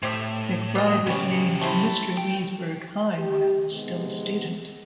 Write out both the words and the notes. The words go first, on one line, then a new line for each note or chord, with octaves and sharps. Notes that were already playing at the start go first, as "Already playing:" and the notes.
McBride was named Mr. Leesburg High while still a student.
A2 C4 G4 E5
B3 D#5
C#3 B3 C#4 G4
A3 C4 E4
G5
G4
C3 D#3 G#3 B3